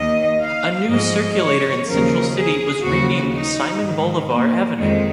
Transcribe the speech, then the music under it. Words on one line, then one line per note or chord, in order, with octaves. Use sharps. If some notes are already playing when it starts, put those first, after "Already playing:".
A new circulator in Central City was renamed Simon Bolivar Avenue.
Already playing: D#2 D#3 D#5
F5
G#2 F3 D#5
C#5
D#2 C#3 F3 A#4
G#4
D#2 C#3 F3 F#4
D#4
G#2 D#3
A#3
F2 D#3 G#3